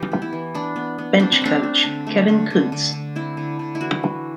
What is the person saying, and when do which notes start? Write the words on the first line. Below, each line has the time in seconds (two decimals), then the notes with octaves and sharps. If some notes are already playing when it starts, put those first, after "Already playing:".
Bench Coach: Kevin Kuntz.
Already playing: E3 G4
0.12 B3
0.22 E4
0.33 E3
0.55 B3 D4
0.76 B3
0.98 B3
1.20 C4 D4
1.32 C4
1.42 A3 D4
1.63 A3
1.85 D3
2.07 A3
2.28 D3
2.50 D3
2.72 D3
2.93 D3
3.16 C4 E4
3.37 D3
3.59 D3
3.75 E4
3.81 E3 F#4
4.03 E3